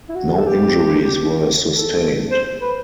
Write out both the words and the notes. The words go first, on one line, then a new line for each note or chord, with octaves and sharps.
No injuries were sustained.
E4
F#4
A4
G4
A4
C5
B4